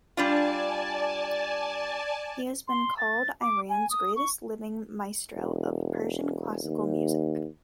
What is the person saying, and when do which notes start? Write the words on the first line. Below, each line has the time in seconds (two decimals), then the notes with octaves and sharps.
He has been called Iran's greatest living maestro of Persian classical music.
0.17 G3 D4 F4 D5 G#5 A5
2.68 C6
2.98 A6
3.42 D6
3.70 G#5
3.91 D#6
4.16 C#6
5.35 E1
6.64 D#2